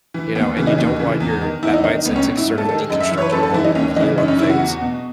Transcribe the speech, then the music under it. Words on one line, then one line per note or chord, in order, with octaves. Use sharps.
you know, and you don't want your that mindset to c sort of deconstruct your whole view on things.
E3
D#2 B3
C#3 E3
D#4
D#2
C#3 E3
E2
D#3
E2 E4
D#4
D#3 D#4
C#2 B3
C#4
B2
E4
G#2
A4
D#3 A4
G#4
F#2 D#5
E5
E3
C#5
B4
F#2 A4
A4
E3 E4
D#4
D#2 C#4
C#3 E3 D#4
F#2 D#4
C#4
C#3 E3 E4
F#4
E2
B2